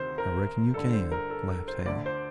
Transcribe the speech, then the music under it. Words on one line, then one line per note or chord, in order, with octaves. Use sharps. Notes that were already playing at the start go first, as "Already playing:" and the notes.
"I reckon you can," laughed Hale.
Already playing: D2 C3 D#3 C5
A#4
G2 D3 A4
C5
A#4
A4
C5
D2 D3 D5
C5